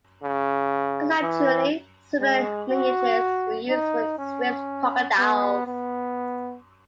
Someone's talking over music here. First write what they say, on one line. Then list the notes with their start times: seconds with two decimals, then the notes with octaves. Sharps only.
Conceptually similar linkages were used for the Swiss "crocodiles".
0.23 C#3
1.22 E3
2.20 G#3
2.70 F#4
3.70 D#4
4.19 C#4
5.18 B3
5.67 B3